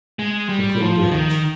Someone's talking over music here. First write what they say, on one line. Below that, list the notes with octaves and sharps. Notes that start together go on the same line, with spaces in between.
Brooklyn Bridge.
G#3
G3
F3
D#3